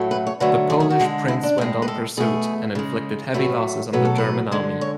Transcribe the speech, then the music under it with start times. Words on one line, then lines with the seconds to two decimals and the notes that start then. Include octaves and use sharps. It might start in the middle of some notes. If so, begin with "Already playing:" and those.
The Polish prince went on pursuit, and inflicted heavy losses on the German army.
Already playing: A2 F#3 A3
0.11 B4
0.27 C#5
0.40 D3 F#3 A3 B4
0.70 G#4
0.80 G#4
0.90 F#4
1.00 D3 G#3
1.28 E4
1.43 D4
1.58 A2 G#3
1.82 B4
1.88 A4
2.17 B2 A3 G#4
2.75 C#3 G#3
3.34 A2 F#3 A3 B4
3.93 B2 F#3 A3 B4
4.05 A4
4.18 B4
4.52 D3 G#3
4.81 C#5